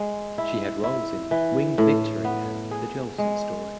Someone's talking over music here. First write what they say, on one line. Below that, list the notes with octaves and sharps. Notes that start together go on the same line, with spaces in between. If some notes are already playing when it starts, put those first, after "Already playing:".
She had roles in "Winged Victory" and "The Jolson Story".
Already playing: G#3
E4
E4
E3
A2
B3
G#4
G#3